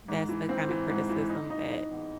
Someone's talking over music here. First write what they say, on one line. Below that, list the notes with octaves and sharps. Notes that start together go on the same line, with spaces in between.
That's the kind of criticism that
G#2
E3
C4
E3
G#2
E3
D#4
D#4
D#4
E2